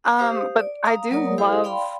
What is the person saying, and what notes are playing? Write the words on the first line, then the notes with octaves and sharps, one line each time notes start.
Um, but I do love
G4 C5 F5 D#6
D5
F5 A#5 D#6
F#3 A#3 A#4 C#5 D5 D#6
E4 G4 A4 C5 F5
D5 F5 G5 B5 C6